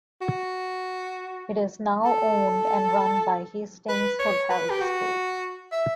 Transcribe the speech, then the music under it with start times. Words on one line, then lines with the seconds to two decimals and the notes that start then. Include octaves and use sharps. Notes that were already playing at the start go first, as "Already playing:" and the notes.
It is now owned and run by the Hastings Hotels Group.
0.21 F#4
2.05 A4
3.89 B4
4.19 C#5
4.49 B4
4.70 G4
4.81 F#4
5.72 E5